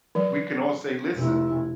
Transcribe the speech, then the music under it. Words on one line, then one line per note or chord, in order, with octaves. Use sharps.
we can all say, listen,
E3 F#3
F1 E4